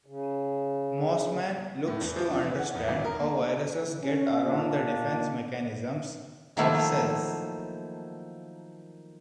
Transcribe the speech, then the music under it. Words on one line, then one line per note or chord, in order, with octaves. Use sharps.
Mossman looks to understand how viruses get around the defence mechanisms of cells.
C#3
A2
E2
F3
D4
E3
F#5
E2
G#1
A#4
A#3
C#4
A#2 D#3 A#3 D4
D#3 F3 F#3 A3 A#3 E4